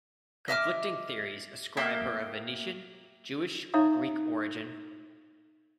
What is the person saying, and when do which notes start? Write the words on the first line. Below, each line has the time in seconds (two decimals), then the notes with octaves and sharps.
Conflicting theories ascribe her a Venetian, Jewish or Greek origin.
0.48 D#5 E5 D6 F6
1.77 A#3 E5 G5 D#6
3.74 D#4 C#5 E5 F5 A#5 D#6